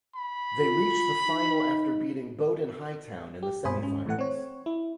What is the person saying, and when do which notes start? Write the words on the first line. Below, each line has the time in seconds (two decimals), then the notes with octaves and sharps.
They reached the final after beating Bowden Hightown in the Semi Finals.
0.15 B5
0.62 F4
1.28 D#4
3.43 G4
3.65 G2 B2 C5 G#5 B5 D#6
3.79 G#2 C#4
4.06 A2 E3 A3 F#5
4.19 C4 C#5
4.66 E4